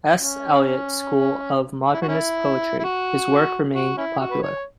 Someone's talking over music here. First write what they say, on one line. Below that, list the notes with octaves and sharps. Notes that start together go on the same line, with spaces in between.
S. Eliot school of Modernist poetry; his work remained popular.
C#4
E4
F#4
C#4 E4
E4
F#4
F#4
C#4 E4
F#4
B4
C#5